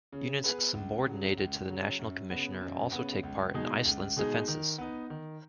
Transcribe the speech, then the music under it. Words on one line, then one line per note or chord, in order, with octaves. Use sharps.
Units subordinated to the National Commissioner also take part in Iceland's defences.
C#3
B3 G#4 B4
C#2
C#3 F#3
C#2
C#3 F#3
F#2
C#3 B3
F#2
C#3 B3
C#2
B2 G#3 D#4 G#4
C#2
B2 G#3 D#4 G#4
D#3
B3 D#4
D#3